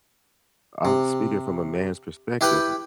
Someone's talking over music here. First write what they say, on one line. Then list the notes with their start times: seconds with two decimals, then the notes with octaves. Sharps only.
I'm speaking from a man's perspective.
0.85 C3
2.41 E4 G4 B4 G5 B5